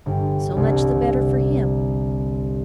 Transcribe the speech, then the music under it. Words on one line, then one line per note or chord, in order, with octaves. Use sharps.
So much the better for him.
G1
C2